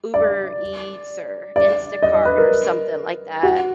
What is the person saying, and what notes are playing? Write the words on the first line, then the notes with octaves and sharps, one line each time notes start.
Uber Eats, or Instacart, or something like that,
D5
D5
D#5
D#5
B4
A#4
F#4